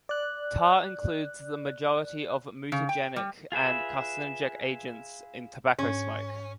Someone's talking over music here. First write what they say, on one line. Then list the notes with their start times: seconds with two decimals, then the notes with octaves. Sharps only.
Tar includes the majority of mutagenic and carcinogenic agents in tobacco smoke.
0.09 D5 F#6
2.72 C#3
2.89 G5
3.16 G3
3.52 F4 G#4 B4 E5
5.79 G#2 C#4